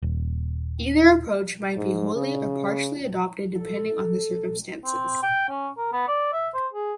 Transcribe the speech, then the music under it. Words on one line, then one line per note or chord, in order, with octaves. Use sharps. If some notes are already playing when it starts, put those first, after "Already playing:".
Either approach might be wholly or partially adopted depending on the circumstances.
D#1
G#2
C#3
A4
C4
G5
C#4
A#4
B3
D5
E5
C5
G#4